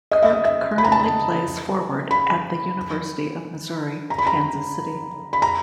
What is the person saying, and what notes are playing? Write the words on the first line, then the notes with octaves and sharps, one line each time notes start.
Kirk currently plays forward at the University of Missouri-Kansas City.
D#5
E5
D#5
E5
B5
A#5
A5
A#5
B5
A#5
B5
A#5
B5
A#5